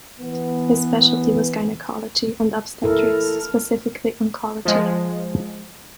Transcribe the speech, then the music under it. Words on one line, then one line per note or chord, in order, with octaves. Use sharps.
His specialty was Gynecology and Obstetrics, specifically oncology.
E3 B3
E4 A4 A#4
F3 G#3